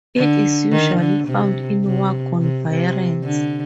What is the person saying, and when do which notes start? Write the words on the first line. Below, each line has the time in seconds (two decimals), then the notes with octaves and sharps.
It is usually found in wagon variants.
0.16 D3
0.72 D#3
1.00 D3
1.28 C3
1.84 C3
2.41 C3
2.68 C3
3.24 D3